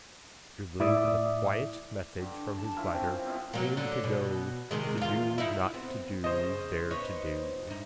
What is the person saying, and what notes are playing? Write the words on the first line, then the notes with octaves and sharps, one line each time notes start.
Dribbling a quiet message from his bladder came to go to do not to do there to do.
A2 E4 D5 E5 D6 D#6
G2 D3
A5
C#4 E4 F4 A#4
C3 C4 G#5
B2 E4 F4 D#5
F#3 A#3
D3
B2
C3 D#3 G#3
E2 F4
D#4 E4
B3 C4
C#3 C5 D#5
B3 D#4 C#5
G2 D#4